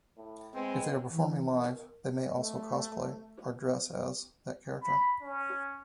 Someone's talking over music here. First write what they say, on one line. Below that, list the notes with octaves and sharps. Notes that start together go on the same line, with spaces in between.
If they are performing live, they may also cosplay, or dress as, that character.
A2
G#3 B3 C4
E3
A#4
A3
B5
C#4